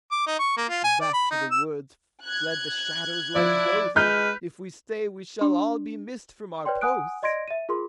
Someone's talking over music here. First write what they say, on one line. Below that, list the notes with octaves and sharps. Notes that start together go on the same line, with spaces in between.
Back to the woods fled the shadows like ghosts: "If we stay, we shall all be missed from our posts."
D6
D#4
C#6
A#3
F4
G#5
D5
B5
D#4
E6
F#6 G#6
F3 E4 D5
G#3 B4 F6 G6 B6
D4
B4 C#5 D5 G5 C6
F#5 G#5 D#6 F#6 D7
D5 D#5 C6 G#6 A#6 D7
E5 D#7
F4 G#4 A#4 C6